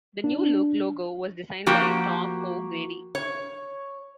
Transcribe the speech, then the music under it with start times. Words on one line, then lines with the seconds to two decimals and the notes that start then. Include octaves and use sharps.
The "New Look" logo was designed by Tom O'Grady.
0.24 D4
1.66 F3 A#3 F#4 G4
3.15 C#5